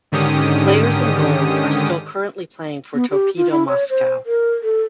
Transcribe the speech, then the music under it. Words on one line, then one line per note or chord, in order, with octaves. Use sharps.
Players in bold are still currently playing for Torpedo Moscow.
G#2 D3 D#3 C#4 G4 D#6
B3
G4
F4
E4
C#5
C5
A#4
A4